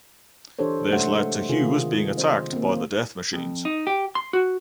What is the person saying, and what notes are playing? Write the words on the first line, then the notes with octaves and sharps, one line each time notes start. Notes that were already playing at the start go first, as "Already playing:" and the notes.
This led to Hughes being attacked by the Death Machines.
E3 D4 G4 A4 C5 C#5
C3 G#3 A3 C5 E5 F#5
C3 D#3 F4 G#4
C4 C5 D#5
A#3 C4
F2
D#4
G4
C6
F#4